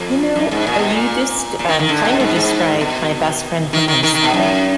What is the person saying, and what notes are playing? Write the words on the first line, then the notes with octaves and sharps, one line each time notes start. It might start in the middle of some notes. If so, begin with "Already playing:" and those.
You know, uh you just, um, kinda described my best friend from high school.
Already playing: F2
F#2
G#2
A#2
B2
A#2
A#2
D#3
D#3
D3
B2
G#2
G#2
B2
D#3
D#3
D#3
D#3
B2
F#2